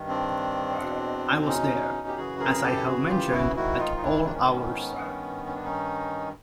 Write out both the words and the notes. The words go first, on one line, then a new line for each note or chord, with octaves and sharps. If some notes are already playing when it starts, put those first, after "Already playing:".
I was there, as I have mentioned, at all hours.
Already playing: G2 D#3
C4 D4
E2 B2
D4
C#4 D#4
G4
F#2 C#3 E3 F#4 G#4
G#4 A#4
G4 A4
F#4 G#4
F4 G4
E4 F#4
G#2 D#3 E4 F#4
D#4 F4
D#4
D4 E4
D4
C#4
C4
B3 C#4
G2 D#3
C#4
D4
C#4 D#4